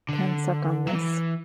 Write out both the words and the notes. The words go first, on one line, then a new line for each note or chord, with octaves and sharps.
Can Suck on This!
D3
F#3
E3